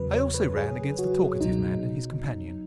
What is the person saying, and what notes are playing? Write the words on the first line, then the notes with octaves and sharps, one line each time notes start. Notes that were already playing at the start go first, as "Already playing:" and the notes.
I also ran against the talkative man and his companion.
Already playing: E2 C#3 F#3 B4
C#5
B4
G#4
F#4
C#2 B2 F#3 D#4